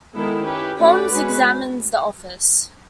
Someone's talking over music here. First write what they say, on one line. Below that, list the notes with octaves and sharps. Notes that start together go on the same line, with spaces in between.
Holmes examines the office.
D#3 G#3 B3 E4 A4
C#4 E4 G4 B4
A3 C#4 F#4 B4 D5
G#3 C#4 F#4 B4